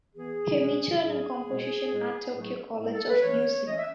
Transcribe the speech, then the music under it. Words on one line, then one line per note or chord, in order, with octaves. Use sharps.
He majored in composition at Tokyo College of Music.
E3 B3 G#4
B2 G#3 C#4
A2 F#3 C#4 G#4
B2 G#3 B3
A2 G#3 B3
A2 F#3 A3
A2 G#3 B3 A4
A4
B4
E3 A3 C#4 C#5
E3 A3 C#4 D#5
E5